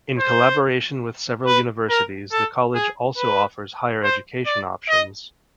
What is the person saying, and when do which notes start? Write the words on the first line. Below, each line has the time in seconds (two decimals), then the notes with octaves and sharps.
In collaboration with several universities the college also offers Higher Education options.
0.18 C5
1.46 B4
1.89 A#4
2.32 A4
2.75 G#4
3.17 B4
4.03 C5
4.46 D5
4.88 D#5